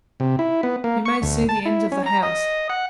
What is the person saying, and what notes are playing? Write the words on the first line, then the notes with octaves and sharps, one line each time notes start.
You may see the end of the house.
C3
E4
B3
A#3
C#6
D2
A5
E4
C#4
A#5
D#5
F#5